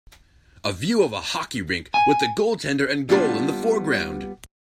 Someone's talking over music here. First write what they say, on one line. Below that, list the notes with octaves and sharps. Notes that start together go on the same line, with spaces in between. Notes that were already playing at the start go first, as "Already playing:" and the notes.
A view of a hockey rink with the goaltender and goal in the foreground.
G#5
G3 A#3 B3 D4 F4